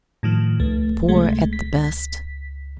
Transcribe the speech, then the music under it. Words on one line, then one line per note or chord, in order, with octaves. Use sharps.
Poor at the best...
A2 D#3 F3
C#2 A3
C3 G#3 A3
B6